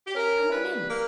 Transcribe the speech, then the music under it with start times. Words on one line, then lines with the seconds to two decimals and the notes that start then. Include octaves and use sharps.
"Come on in."
0.07 G4
0.15 C#4 A#4
0.51 G3 B4
0.89 A#3 A#4